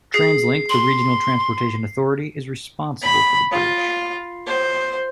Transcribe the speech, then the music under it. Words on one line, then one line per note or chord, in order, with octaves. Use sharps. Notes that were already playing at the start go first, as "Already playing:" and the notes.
TransLink, the regional transportation authority, is responsible for the bridge.
G#4 C7
C6 F#7
B5
F4
C5